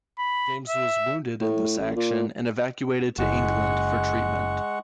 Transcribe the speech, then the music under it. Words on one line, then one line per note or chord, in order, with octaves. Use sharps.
James was wounded in this action and evacuated to England for treatment.
B5
E5
A2
A1
A#2
F#1 G#3 F#5 C#6